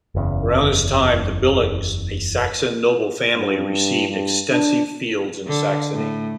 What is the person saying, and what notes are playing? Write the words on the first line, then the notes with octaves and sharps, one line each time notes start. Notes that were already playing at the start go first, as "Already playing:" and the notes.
Around this time, the Billungs, a Saxon noble family, received extensive fields in Saxony.
F#1 E2 C#3
G2
G2
D4
D3
A2